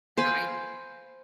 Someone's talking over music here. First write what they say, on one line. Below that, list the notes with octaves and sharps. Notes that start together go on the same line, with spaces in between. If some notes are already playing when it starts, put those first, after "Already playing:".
and I'd
C5 F5 G#5 B5